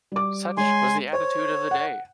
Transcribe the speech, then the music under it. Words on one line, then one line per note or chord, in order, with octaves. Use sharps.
Such was the attitude of the day.
G3 D6
G#3 C#5 G#5 C6
C5 C#5
F#5